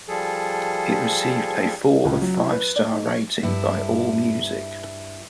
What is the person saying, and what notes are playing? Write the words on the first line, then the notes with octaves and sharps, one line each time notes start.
It received a four of five star rating by AllMusic.
F3 G3 G#4 A4
C#2
F#3
E4
B4
D5
D#4
C#5
G2 E4